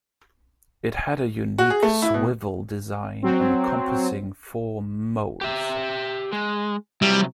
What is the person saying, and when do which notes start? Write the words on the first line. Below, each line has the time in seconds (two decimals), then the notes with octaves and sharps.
It had a unique swivel design encompassing four 'modes'.
1.58 F#4
1.70 G#4
1.83 A3
2.02 E4
2.14 B2
3.23 F#3 C4
5.41 G4 E5
6.32 G#3
7.02 C3 F#3 G3 E4